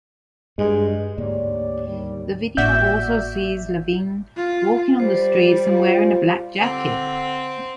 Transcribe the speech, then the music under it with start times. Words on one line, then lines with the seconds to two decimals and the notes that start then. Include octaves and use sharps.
The video also sees Lavigne walking on the streets and wearing a black jacket.
0.58 G2 G#3
1.18 D2 G#2 A#3 G4 C#5 D5
1.87 D#2 G3
2.57 G#1 A2 A#3 F#4 D5 E5 G6
4.37 F4
5.00 G3 C5
5.69 F4
6.60 D3 C4